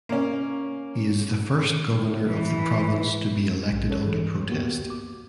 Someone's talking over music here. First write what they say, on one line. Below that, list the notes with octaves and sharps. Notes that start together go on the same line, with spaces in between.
He is the first Governor of the province to be elected under protest.
A#3 C#4
E3
A#1
C#4 G#4 A4 C#5
E3
A#3 B3 F#4 G4
D6